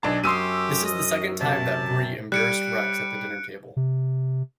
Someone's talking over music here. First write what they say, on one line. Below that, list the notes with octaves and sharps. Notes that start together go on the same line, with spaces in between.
This is the second time that Bree embarrassed Rex at the dinner table.
B1 D4 G#4 A5
F#2 G4 C6 D#6 E6 D#7
D#5
C3 A5
G3 F#6 C#7 D7
C3